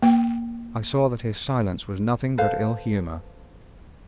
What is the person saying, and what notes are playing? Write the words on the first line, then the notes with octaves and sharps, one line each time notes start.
I saw that his silence was nothing but ill-humour.
A#3 G5
A4 B4 C5 F5